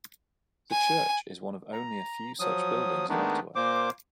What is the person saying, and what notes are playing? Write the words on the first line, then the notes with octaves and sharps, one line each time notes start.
The church is one of only a few such buildings in Ottawa.
G#5
A#5
F3 F#3 D#6
D#3 G#3 A3 B3 D4 D#4
A#2 A#3 C5 D6